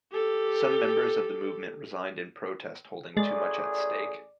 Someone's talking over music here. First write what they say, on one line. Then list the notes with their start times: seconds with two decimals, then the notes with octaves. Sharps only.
Some members of the movement resigned in protest, holding too much at stake.
0.11 G4 A4
3.17 A1 G#3 G#4 D5 A6